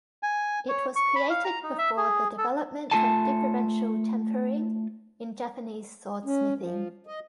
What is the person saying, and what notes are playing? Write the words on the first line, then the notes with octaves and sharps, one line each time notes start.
It was created before the development of differential tempering in Japanese swordsmithing.
G#5
C#5
C#6
B5
F5
A#5
D#4
E5
G#4
A4
A3 C#4 F4 A4 G#5 A5
C#4
F3
D#5